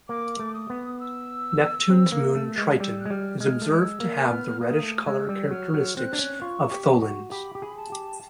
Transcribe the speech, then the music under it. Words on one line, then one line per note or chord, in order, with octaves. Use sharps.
Neptune's moon Triton is observed to have the reddish color characteristic of tholins.
A#3 D6
A3
D#6
B3
E6
C4
A#3
A3
G#3
G3 E6
F#6
G#3
G3 F6
G#3 F6
A3
G#3 E6
A#3
F6
B3
A#3 D#6
A3
G#3 E6
G3
F#3 F6
F#3
C4 F#6
D4
C#4
F4 C#6
G4
F#4
G4 B5
G4
G#4
A5
G4